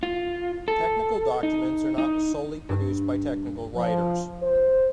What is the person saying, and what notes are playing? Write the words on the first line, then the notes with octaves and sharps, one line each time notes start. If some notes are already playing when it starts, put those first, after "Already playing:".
Technical documents are not solely produced by technical writers.
F4
A4
D#4
D#4
G2
F3
C5